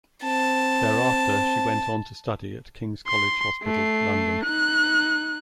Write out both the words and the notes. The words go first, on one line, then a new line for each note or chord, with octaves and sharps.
Thereafter she went on to study at King's College Hospital, London.
C4 A5
C6
A3 C7
D#4 F#6